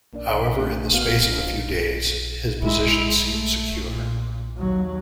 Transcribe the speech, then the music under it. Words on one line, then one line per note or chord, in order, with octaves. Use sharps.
However, in the space of a few days, his position seemed secure.
A#3 D4 D5
D2
B2 A#3 F5
A#1
G#3 E4
A3
A#2
D#2 F#3